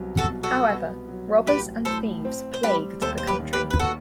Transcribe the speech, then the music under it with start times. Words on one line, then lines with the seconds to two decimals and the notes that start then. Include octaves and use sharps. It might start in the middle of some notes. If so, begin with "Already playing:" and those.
However, robbers and thieves plagued the country.
Already playing: C2 F#3 B3
0.17 F#4 A4
0.30 B2
0.43 F#4 A4
0.69 B3
1.09 F#3
1.47 A1 G4 B4
1.85 A2 A4 C5
2.25 C4
2.54 C5
2.63 G3 G4 B4
3.01 D#2 A4 C5
3.18 C5
3.27 G4 B4
3.40 D#3
3.53 G4 B4
3.70 B4
3.79 F#4 A4